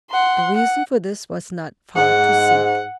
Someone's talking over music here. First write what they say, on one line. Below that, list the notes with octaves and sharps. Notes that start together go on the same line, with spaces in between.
The reason for this was not far to seek.
F#5 C6
F#5
G#2 F#5